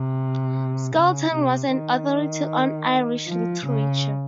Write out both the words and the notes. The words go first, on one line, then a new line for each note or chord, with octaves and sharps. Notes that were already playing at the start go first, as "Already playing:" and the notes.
Skelton was an authority on Irish literature.
Already playing: C3
C#3
C3
D#3
F3
C#3